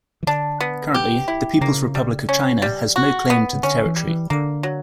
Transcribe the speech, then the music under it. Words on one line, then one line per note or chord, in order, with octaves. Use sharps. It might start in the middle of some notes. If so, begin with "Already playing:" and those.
Currently, the People's Republic of China has no claim to the territory.
E3
D3 D4
B3
G4
E4
C#3 A#3
G3
C#4
G3
F#4
B3
C#3
D3 C#4
E3
G3
E3
D3 A#3
F#3